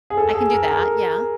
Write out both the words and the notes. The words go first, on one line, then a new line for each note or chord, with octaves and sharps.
I can do that, yeah.
G#4
A4
G#4
A#4
A#4